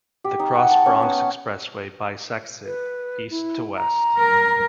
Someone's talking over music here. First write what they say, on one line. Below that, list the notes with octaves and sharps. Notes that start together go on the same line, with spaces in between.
The Cross Bronx Expressway bisects it, east to west.
G4
D#4
F#5
A5
C#4
B3
B4
E4
A#5
A#4